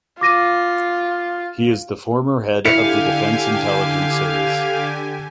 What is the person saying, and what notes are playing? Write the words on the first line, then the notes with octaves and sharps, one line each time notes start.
He is the former head of the Defense Intelligence Service.
F4 D6 A#6 D#7
D3 E4 G4 F5 G#5 C#7